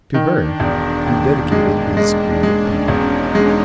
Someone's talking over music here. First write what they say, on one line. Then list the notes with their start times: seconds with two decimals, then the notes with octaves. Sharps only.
To her he dedicated his creative power.
0.14 D#3 D4
0.60 E1
1.06 D#2
1.52 G#3
1.97 G#3 D4
2.43 G#3 C#4
2.88 E1 D#4
3.35 G#3 D4